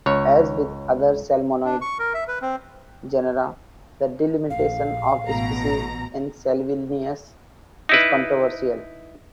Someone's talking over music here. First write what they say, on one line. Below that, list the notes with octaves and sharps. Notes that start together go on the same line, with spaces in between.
As with other salmonid genera, the delimitation of species in "Salvelinus" is controversial.
C#2 C#5
D4
C#6
A#4
E5
B4
C4
A#1 F5
A1 B2 A#5
D#4 E4 B4